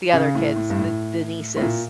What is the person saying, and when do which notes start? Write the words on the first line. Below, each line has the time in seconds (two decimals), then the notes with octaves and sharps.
the other kids, the the nieces.
0.13 C#3
0.35 A2
0.56 A2
0.70 G2
0.78 A2
1.57 A2
1.62 A#2